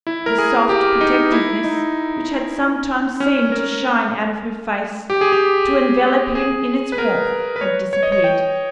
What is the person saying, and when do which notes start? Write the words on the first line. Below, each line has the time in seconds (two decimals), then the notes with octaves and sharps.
The soft protectiveness which had sometimes seemed to shine out of her face, to envelop him in its warmth, had disappeared.
0.07 E4
0.26 A#4
0.38 G#4
0.69 G4
1.01 D#4
1.32 E4
1.64 D#4
3.20 C#4
3.52 A#4
5.10 G4
5.21 G#4
5.32 G4
6.35 G#4
6.92 B4
6.98 A#4
7.56 B4
7.61 C#5
7.93 C#5
8.03 D#5
8.12 C#5
8.24 G5